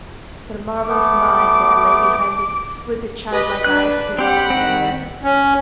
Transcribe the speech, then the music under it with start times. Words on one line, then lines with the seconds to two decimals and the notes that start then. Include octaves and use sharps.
What a marvellous mind there lay behind those exquisite, childlike eyes of the wonderful Henriette!
0.88 A3 B3 D6
3.32 G4 B4 D#5
3.64 D4 B4 F#6
4.19 C4 G4 F#5 B5
4.50 D#3 C4
5.23 C#4